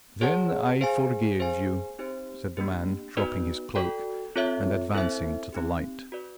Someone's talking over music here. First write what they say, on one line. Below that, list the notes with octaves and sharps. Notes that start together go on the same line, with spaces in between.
"Then I forgive you," said the man, dropping his cloak, and advancing to the light.
G#4 C#5 F#5 A5
G#4 C5 F5 G#5
G#4 C5 F5 G#5
C4 D#4 G4 C5
A#3 D4 G4
B3 D#4 F#4 B4 D5
F#4 A4 D5 G5
C4 F4 A4 C#5 E5
C4 E4 A4 C5 E5
C4 D#4 G4
F#4 B4 D5